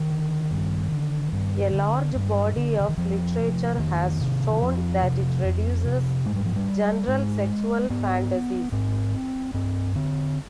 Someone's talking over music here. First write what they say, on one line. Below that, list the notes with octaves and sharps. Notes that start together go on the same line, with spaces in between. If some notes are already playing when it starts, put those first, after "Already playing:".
A large body of literature has shown that it reduces general sexual fantasies.
Already playing: D#3
D3
G2
D3
G2
D3
G2
D3
D3
D#3
F2 F3
C3
F2 D#3
C3
D#3
F2 F3
C3
F2
C3
G#2 G#3
G3
F3
G3
G#2 G#3
G#2 B3
G#2 C4
G2 C4
D3 C4